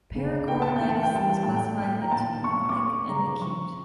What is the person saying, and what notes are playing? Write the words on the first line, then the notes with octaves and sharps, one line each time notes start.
Pericoronitis is classified into "chronic" and "acute".
C#3
A#3 G5
A5
E3 G5
A5
G5
G3 A5
G5
A2 A5
G5
A3 G5
A#5
A#2 A5
A#2 C#6
D6
A3 C#6
C#3 A#5
F3 C#6